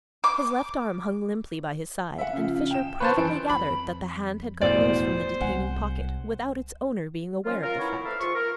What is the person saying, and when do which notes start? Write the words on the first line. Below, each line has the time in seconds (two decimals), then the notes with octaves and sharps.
His left arm hung limply by his side and Fisher privately gathered that the hand had got loose from the detaining pocket without its owner being aware of the fact.
0.24 D6
2.18 E5 F#5
2.33 C#3 F3
2.56 C#3
2.71 G5 E7
3.00 B4 C5 A5 C#6
3.18 F#2 E3 D7
3.49 F2 B5
4.61 E1 E2 A2 C5 D5
5.41 C2 G#3 F#5 G#5
7.46 D#3 F3 F#3 C#4 F4
7.63 F4 A#4
7.79 B3 C#4 D#4 E4 A#4 C#5
8.05 F3 A#3 A4 B4 E5 F5
8.20 G#2 F4 C#6
8.35 A#4